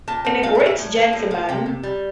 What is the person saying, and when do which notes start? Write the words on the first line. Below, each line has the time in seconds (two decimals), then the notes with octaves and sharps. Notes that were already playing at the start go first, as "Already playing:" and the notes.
And a great gentleman.
0.08 A#2 A5
0.25 C4
0.43 A#2 F5
0.55 D5
0.60 A#2
0.66 E5
0.78 A2
0.96 A#3
1.13 A2
1.31 A#3
1.49 C3 G5
1.66 C3
1.83 G3